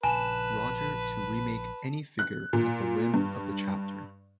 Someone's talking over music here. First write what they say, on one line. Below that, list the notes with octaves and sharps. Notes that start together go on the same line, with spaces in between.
Roger to remake any figure at the whim of The Chapter.
A#1 C#3 B4 G#5 A5 E7
F#6
A#2
G2